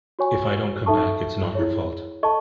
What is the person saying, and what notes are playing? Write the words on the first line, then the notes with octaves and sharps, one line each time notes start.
If I don't come back, it's not your fault.
F#4 C#5 G#5 C#6
D#4 A4 E5 A5 C#6
E4 G#4 C#5
A4 D#5 A5 C#6